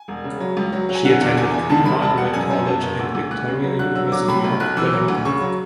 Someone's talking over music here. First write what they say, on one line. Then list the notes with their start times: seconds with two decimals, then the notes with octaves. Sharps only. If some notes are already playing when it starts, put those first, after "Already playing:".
She attended Queen Margaret College and Victoria University of Wellington.
Already playing: G#5
0.08 E1
0.24 C#3
0.40 F#3
0.57 C#2
0.72 F#3
0.89 F#3
0.95 G#5
1.05 D3 F#5
1.21 E2
1.37 E2 G#5
1.54 E2
1.69 E1 A5
1.85 E1 B5
2.01 E1 A5
2.17 E1 F#5
2.34 F#2 G#5
2.50 F#2
2.66 F#2 A5
2.82 F#1
2.99 D2 E6
3.15 D2
3.31 D2 F#6
3.48 C#3
3.63 F#3
3.79 D3 F#6
3.95 F#3 E6
4.12 F#3 D6
4.28 A2 B5
4.44 B1
4.60 B1 F#6
4.77 E3 E6
4.93 F#3
5.08 D2
5.25 C#3 C#6
5.41 F#3